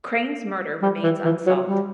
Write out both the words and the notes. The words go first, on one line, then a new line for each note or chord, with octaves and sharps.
Crane's murder remains unsolved.
G3
E3
E3
F#3
G3